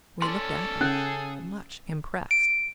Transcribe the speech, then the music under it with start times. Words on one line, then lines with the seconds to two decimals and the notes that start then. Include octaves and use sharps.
We looked at him, much impressed.
0.22 C#4 A4 D5 C6
0.81 C#3 C#4 G#4 G5
2.31 D7